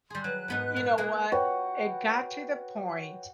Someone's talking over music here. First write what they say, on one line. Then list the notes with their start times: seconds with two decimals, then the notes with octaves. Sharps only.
You know what? It got to the point
0.10 G3 G#4 C6
0.24 F#3 B4 F#6
0.48 G#2 B3 D#4
0.76 A#2
0.98 G#3 A#3 G#4
1.32 F#4 B4 C#5 G5